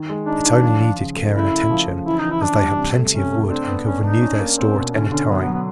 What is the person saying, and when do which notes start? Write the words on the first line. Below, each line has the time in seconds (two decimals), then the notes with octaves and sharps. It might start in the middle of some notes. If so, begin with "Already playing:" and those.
It only needed care and attention, as they had plenty of wood and could renew their store at any time.
Already playing: D#3
0.09 G#3
0.27 D4 D#4
0.45 D#3
0.62 F3
0.80 F3
0.99 C#3
1.16 A3
1.34 C#3 E4
1.52 A3
1.70 F3
1.89 C#3
2.06 E3 E4
2.18 D#4
2.24 E3
2.30 E4
2.42 E3 D4
2.60 G3
2.78 C3
2.96 A3
3.14 C3 C#4
3.32 A3
3.50 C4 D4
3.68 B3
3.86 C#4 D4
4.04 D4 D#4
4.21 C#4
4.40 A#3
4.58 C4 C#4
4.76 B2
4.93 D3 C#4
5.12 D3 C#4
5.29 F#3 B3
5.42 B3
5.47 F#3
5.53 B3